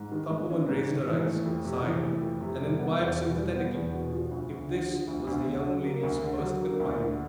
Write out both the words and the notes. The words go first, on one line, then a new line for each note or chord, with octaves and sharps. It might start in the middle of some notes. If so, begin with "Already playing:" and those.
The shopwoman raised her eyes, sighed, and inquired sympathetically if this was the young lady's first confinement.
Already playing: G#2
D#3
G#3
C#4
G#2
D#3
E3
A3
F2
C3
E3
A3
F2
C3
G3
B3
E2
B2
G3
B3
E2
B2
F3
D2
D2
D3
F3
D2
D2
D3
F#3
A#3
D2
D3
F#3
A#3
D2
D3